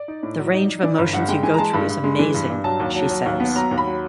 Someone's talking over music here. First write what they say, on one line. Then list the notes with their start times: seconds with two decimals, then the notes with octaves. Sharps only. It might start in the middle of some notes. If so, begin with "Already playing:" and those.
"The range of emotions you go through is amazing", she says.
Already playing: D5
0.08 D#4
0.23 A2
0.38 F#3
0.54 D#4
0.69 D#4
0.83 E3 D5
0.98 G1
1.13 G2 F#5
1.28 G#3 G5
1.43 E3 G#5
1.54 A#5
1.58 G#3 A5
1.73 G2 B5
1.89 G2
2.04 G#3
2.19 E3
2.34 G2
2.50 G2
2.64 F#3 A5
2.80 D#2
2.95 F#3
3.10 F#3
3.26 D#2
3.40 B3
3.55 F#3 A#5
3.71 D#2
3.78 B5
3.86 F#3